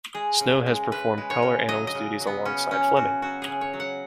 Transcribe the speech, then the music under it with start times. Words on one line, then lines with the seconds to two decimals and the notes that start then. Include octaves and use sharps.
Snow has performed color analyst duties alongside Flemming.
0.15 G#3 G#4
0.41 C#3
0.66 G#3
0.91 C#3 B4
1.18 G#3
1.30 C#5
1.43 C#3
1.69 F#3 D#5
1.87 D#5
1.95 C#3
2.20 F#3
2.27 B3
2.45 C#3 C#4
2.71 F#3 C#4
2.96 C#3 F#4
3.22 F#3 F#4
3.42 G#4
3.48 C#3
3.61 C#5
3.73 F#3
3.80 F#5